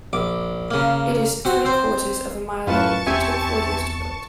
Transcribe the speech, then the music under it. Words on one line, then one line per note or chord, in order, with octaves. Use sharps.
It is three quarters of a mile long and took four years to build.
A#1 D6
C#3 A#3
C4 F#4
C4 C5
F#2 A2 F4 B4 A5 C#6
E2 C4 G4 E5 G#5